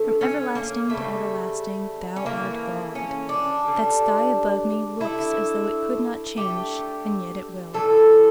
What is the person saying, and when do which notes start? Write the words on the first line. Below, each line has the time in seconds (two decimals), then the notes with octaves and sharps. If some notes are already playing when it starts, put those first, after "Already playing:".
"From everlasting to everlasting, Thou art God." That sky above me looks as though it could not change, and yet it will.
Already playing: D3 A3
0.21 C#4
0.55 A#3
0.89 C#3 G3 A3
2.16 C#4
2.26 C#3 E3 A3 A#3
2.95 C#4
3.29 D4
3.63 D3 G3
5.00 D3 A3 E4
6.37 D3 A3 G4
7.74 A2 E3 G3 A4